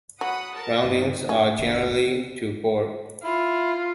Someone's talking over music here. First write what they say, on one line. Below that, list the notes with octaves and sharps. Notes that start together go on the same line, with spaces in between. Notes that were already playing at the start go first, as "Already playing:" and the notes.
Roundings are generally to Port.
F#3 F#5 B5 D#6
A#4 A5
G2 C3 D#3
A3 C#4
D1 G1 A#2 D3
E4 F4